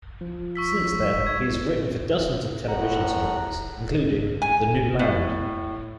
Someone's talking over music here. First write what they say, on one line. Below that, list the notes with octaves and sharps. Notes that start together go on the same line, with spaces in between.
Since then, he has written for dozens of television series, including "The New Land".
F3
C#6 E6 B6
C#6 G#6
G#1 A2 F#5 A#5
G#5
A2